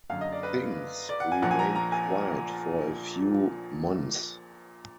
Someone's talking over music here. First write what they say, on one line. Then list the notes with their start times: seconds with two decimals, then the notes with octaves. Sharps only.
Things remained quiet for a few months.
0.09 F#1 F#2 D3 F5
0.21 D#5
0.32 D5
0.43 B4
1.09 D5
1.20 F#5
1.32 G#5
1.42 A#1 A#2 F3 F#5
1.51 G#5
1.59 A#5
1.75 A#5
1.92 G#5